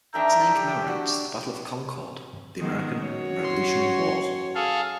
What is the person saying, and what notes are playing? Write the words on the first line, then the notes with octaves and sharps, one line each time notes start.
Its name commemorates the Battle of Concord of the American Revolutionary War.
D#3 A3 D4 E5 G5 A#5
G4
D4 F#4
D#3 G#3 B3
F#2 F#4 C#5
C6
G#4 A4 F5